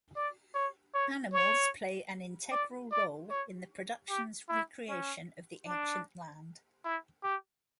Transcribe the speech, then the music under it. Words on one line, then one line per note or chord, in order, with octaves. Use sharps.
Animals play an integral role in the production's recreation of the ancient land.
D5
C#5
C#5
C#5
D5
D5
C#5
G4
E4
C#4
D4
E4
G4